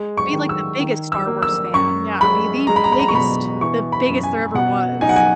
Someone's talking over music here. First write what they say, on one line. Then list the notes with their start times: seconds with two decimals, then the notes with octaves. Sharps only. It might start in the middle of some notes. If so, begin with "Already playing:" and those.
Be, like, the biggest Star Wars fan. Yeah, be the biggest the biggest there ever was.
Already playing: G#3
0.17 C#6
0.33 D#3
0.49 E6
0.80 D#3
1.12 E6
1.27 A#3
1.42 E6
1.73 F#2 C#6
2.21 G#3 B5
2.67 G#3 A#5
2.76 B5
2.84 A#5
2.92 B5
2.99 A#5
3.08 C#6
3.14 B2 B5
3.61 E3 C#6
3.92 B5
4.08 F#2
4.23 G#5
4.54 B2 F#5
5.01 D#4 G#5
5.09 F#5
5.16 G#5